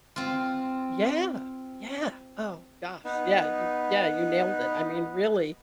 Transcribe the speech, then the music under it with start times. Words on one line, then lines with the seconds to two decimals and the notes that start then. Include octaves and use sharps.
Yeah. Yeah. Oh gosh, yeah, you yeah, you nailed it. I mean, really,
0.16 C4 F4
3.04 B3 D#4